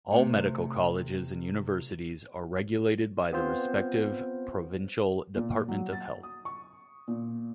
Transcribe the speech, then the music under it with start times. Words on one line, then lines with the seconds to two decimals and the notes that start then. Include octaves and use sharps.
All medical colleges and universities are regulated by the respective provincial department of health.
0.11 C3 A3
3.33 B3 C4 F4 C5
5.36 A#2
5.68 F#3
5.93 A6
6.23 D#6
6.45 C#6
7.08 A#2